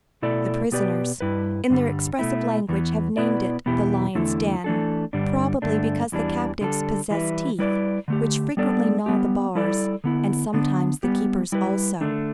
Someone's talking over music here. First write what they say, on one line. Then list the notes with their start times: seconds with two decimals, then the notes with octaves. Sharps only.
The prisoners, in their expressive language, have named it the "Lions' Den," probably because the captives possess teeth which frequently gnaw the bars, and sometimes the keepers also.
0.22 B2 A3 E4 A4 D5
0.72 B2 B3 G4 B4 D5
1.21 G2 G3 E4 B4
1.70 G2 D3 G3
2.19 B2 A3 E4
2.68 E2 E3 B3
3.17 B2 B3 E4 B4 D5
3.66 E2 B2 B3 E4 G4
4.15 E2 D3 A3 E4 A4
4.64 E3 A3 D4 A4
5.13 G2 D3 G3 D4
5.62 G2 D3 A3 D4
6.12 E2 E3 G3 D4
6.61 D3 G3 E4 A4
7.10 E3 G3 E4 B4
7.59 G3 E4 B4 D5
8.08 D3 A3 G4
8.57 G3 B3 D4 A4 D5
9.06 G3 B3 G4
9.55 G3 E4 A4 D5
10.04 D3 B3 E4
10.54 D3 B3 D4
11.03 G3 B3 G4
11.52 G3 E4 B4
12.01 D3 A3 D4